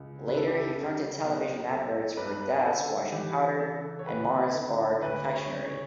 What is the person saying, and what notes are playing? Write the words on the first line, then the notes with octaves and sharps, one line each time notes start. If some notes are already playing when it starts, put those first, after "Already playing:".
Later he fronted television adverts for Daz washing powder and Mars bar confectionery.
Already playing: C#2
C#3 B4
A4
G4
A4
C#3 G4
B1
B1 A4
G2 B4
B4
D3 A4
A4
E3 G4
C#3 A4
C#5
D2 B4
D3
D2 B4
C#5
C#3
C#5